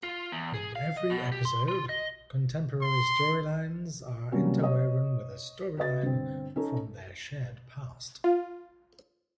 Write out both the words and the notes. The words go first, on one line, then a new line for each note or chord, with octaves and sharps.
In every episode, contemporary storylines are interwoven with a storyline from their shared past.
F4
E2
G#4
F5
D#5
B2
G4
C6
F4
D#5
C6
C3 F#3 G3 A#3 C#4
C#5 D#5 D#6
F#4 B4 D#5 A6
G1 C4
C#4 D#4 A4
F4